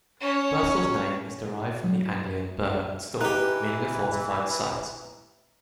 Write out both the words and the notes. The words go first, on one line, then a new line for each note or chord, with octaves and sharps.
Birstall's name is derived from the Anglian "burh" and "stall" meaning a fortified site.
C#4 C#5
F#3
E3 D#4 G4 B4 F#6